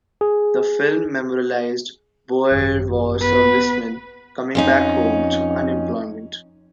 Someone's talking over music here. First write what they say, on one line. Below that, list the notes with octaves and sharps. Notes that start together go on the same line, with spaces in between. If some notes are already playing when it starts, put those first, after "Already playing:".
The film memorialized Boer War serviceman coming back home to unemployment.
G#4
G#1 F#2 G4
B3 B4
F2 C#4 D#4